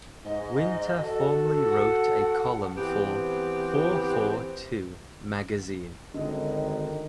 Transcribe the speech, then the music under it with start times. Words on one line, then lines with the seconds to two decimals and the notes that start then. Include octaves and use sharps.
Winter formerly wrote a column for "Four Four Two" magazine.
0.25 G#2 D#5
0.98 F#4 A4
1.69 F#5
2.76 E3 B3 C4 G4
6.14 G#1 D3 D#3 D#5